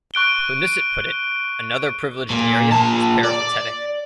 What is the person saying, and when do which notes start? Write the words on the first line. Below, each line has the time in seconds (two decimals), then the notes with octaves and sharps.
Hunnisett put it, Another privileged area was peripatetic.
0.14 C#6 F#6 D7 G7
2.30 A#2
2.72 A#2 A5
3.24 D5